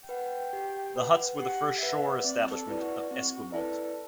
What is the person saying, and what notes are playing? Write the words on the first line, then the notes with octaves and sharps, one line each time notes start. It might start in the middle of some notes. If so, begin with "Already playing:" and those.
The huts were the first shore establishment at Esquimalt.
B4 F#5 G5
G4
B4 F#5
G4 F#5
B4 E5 F#5
C4 D5
A4
E4 B4 D5
F#4
C4 F#4
E4 A4 B4 D5